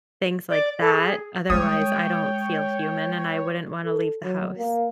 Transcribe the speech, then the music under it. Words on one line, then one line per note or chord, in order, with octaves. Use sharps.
things like that. Otherwise, I don't feel human, and I wouldn't wanna leave the house.
D5
A4
G#4
G3 G#3 C#5 G5 D#6
A4
F#3
A#3